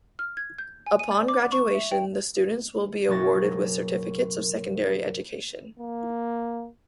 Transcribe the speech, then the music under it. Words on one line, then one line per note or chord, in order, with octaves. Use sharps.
Upon graduation the students will be awarded with certificates of secondary education.
F6
G#6
G6
G#5
D#7
D5
D6
C#6
E5
G5
F#1 B2 C#5 A6 A#6
A#3